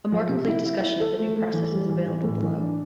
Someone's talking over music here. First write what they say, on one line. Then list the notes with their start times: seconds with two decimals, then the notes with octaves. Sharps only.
A more complete discussion of the new process is available below.
0.12 F3
0.29 C3
0.47 E4
0.65 E4
0.83 E4
1.00 A4
1.18 A3
1.36 A3
1.54 E3
1.72 G3
1.90 E3
2.06 E3
2.24 A2
2.43 E3
2.60 D4